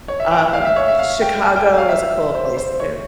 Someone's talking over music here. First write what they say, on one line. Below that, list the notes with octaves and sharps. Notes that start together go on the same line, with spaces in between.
Um, Chicago was a cool place too.
C#5
E5
G5
G5
F5
E5
C#5
E5
F5
G5
G#5
G5
G5
F5
E5
C5
C5
C#5